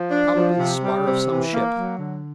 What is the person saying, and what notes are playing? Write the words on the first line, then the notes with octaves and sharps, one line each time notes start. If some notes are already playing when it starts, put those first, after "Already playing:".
"Probably the spar of some ship."
Already playing: F3
D4
F3
C3
G3
C3
E3
A#3
F#3
D3